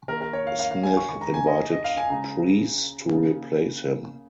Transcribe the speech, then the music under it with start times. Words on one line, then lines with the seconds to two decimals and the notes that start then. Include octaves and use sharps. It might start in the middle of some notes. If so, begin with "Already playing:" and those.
Smith invited Preece to replace him.
0.08 D#3 A#3 A#4
0.21 A#4
0.33 C#5
0.47 F5
0.59 F5
0.71 F5
0.83 G#5
0.97 C#6
1.09 D#3 C#6
1.13 G#3
1.21 A#5
1.34 G#5
1.47 D#5
1.72 D#5
1.84 F5
1.97 G#5
2.09 C#3 G#3 A#5
3.11 C#3 A#3